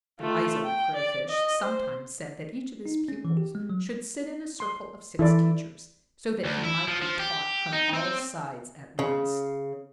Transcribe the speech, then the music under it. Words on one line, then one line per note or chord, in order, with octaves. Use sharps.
The Wise Old Crayfish sometimes said that each of his pupils should sit in a circle of six teachers, so that he might be taught on all sides at once.
A3 F4
G5
D5
D#5
C5
D#4
C#4
E3
G4
G#3
F#3
C6
E3 E4 A4 D5
D2
E4
F3
F3
G4
D#4
C4
C#3